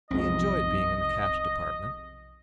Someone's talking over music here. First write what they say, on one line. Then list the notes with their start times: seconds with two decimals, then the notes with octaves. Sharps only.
He enjoyed being in the Cash Department.
0.11 B1 F2 G#2 C3 D#5